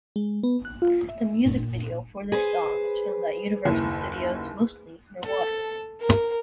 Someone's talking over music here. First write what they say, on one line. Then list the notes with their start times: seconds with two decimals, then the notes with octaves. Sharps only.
The music video for this song was filmed at Universal Studios mostly underwater.
0.16 G#3
0.43 B3
0.65 F#6
0.82 F4
1.09 E5
1.46 A#2
2.32 G#4 B4 C5
3.65 F#1 D#2 E4
5.26 A4
6.01 A#4